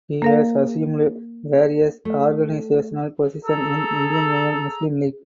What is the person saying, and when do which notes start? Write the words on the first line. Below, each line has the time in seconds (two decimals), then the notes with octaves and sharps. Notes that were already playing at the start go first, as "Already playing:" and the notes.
He has assumed various organisational positions in Indian Union Muslim League.
0.22 A#3 A#4 F5
2.05 A3
3.44 G#4 A4 A#5 E6